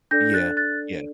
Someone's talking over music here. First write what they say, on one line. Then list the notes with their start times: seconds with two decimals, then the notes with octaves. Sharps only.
Yeah, yeah.
0.11 D4 A4 D5 G6 A#6
0.34 F#6 A6
0.57 F#6 A6